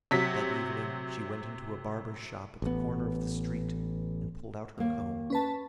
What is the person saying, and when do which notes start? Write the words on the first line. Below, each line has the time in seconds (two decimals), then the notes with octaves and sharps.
That evening she went into a barber's shop at the corner of the street, and pulled out her comb.
0.11 C3 F#3 B6
2.62 A1 B3
4.78 D#2 A#3
5.30 C#4 B4 A5